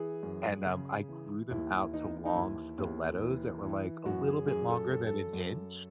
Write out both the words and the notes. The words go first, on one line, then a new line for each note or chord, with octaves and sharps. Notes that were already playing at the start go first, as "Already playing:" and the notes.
And, um, I grew them out to long stilettos that were like a little bit longer than an inch.
Already playing: E3 G#4
F#2
C#3
E3
D#2 E4
E4
E3 D#4
D#4
D#2 E4
D#2
E3
E3
F#2 F#4
G#4
F#2 G#4
A4
F#2 A4
A4
F#2